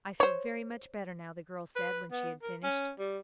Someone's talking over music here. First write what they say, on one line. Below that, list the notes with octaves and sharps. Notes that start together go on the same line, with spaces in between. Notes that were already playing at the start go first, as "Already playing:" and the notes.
"I feel very much better now," the girl said when she had finished.
C5 C#5
B4
B3
A#4
C#4
G3